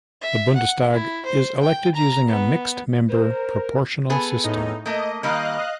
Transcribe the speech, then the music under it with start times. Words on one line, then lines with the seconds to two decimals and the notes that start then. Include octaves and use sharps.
The Bundestag is elected using a mixed member proportional system.
0.21 E5
0.56 F#5
0.92 E4
1.25 C5
1.61 G5
1.94 A#5
2.27 B3
3.10 A#4 C5
4.10 B3 G#4 A4
4.44 A2 D#4
4.86 A3 A#3 D#5
5.23 D#3 G3 A#3 D#5 F5 F#6